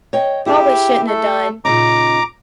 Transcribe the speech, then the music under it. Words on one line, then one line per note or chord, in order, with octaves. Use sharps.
probably shouldn't have done.
C#5 D#5 G5
E4 G4 G#4
A3 A4
A#2 C#3 D#4 A#5 D6